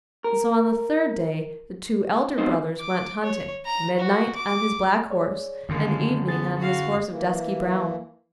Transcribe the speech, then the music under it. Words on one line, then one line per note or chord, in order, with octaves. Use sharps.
And so on the third day the two elder brothers went hunting--Midnight on his black horse, and Evening on his horse of dusky brown.
A#4
G3 B3 C4 D#4
D6
C#5
A#5
F#4
D6
G#4 C#5 D5
F#2 D3 D#3 G#3 A#3
B3 G#4 A6
F#4 F5
E3 A#3